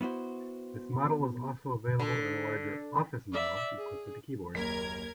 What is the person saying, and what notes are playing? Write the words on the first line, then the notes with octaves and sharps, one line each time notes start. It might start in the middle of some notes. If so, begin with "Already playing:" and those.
This model was also available in a larger "office" model equipped with a keyboard.
B3 E4 F#4 C5
D3
D5 E5
G#4
F#1 D#2 A#4 G#6 B6